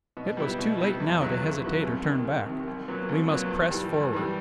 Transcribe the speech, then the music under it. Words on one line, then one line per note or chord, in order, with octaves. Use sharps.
It was too late now to hesitate or turn back; we must press forward.
B2
G3 B3 E4
B2
G3 B3 E4
E2
C#3 F#3 B3 E4
E2
C#3 F#3 B3 E4
C2
C3 D#3
C2
C3 D#3
C2
A#2 F#3 B3
C2
A#2 F#3 B3
G2
E3 G3
G2
E3 G3